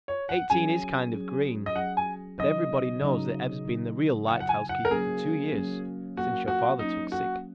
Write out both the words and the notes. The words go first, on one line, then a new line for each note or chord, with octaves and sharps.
Eighteen is kind of green, but everybody knows that Ev's been the real lighthouse keeper for two years, since your father took sick.
C#5
F#5
F#3 C#4 G#4 G#5
F#3 C#4 G#4
D#5
F#3 C#4 G#4 F#5
G#5
C#3 F#3 D#4 D#5
C#3 F#3 D#4
C#3 F#3 D#4
C#3 F#3 D#4 F#5
F#5
G#5
F#5
A#4
F#3 A#3 C#4 G#4
F#3 A#3 C#4
F#3 A#3 C#4 F#4
F#4
F#3 A#3 C#4 D#4
F#4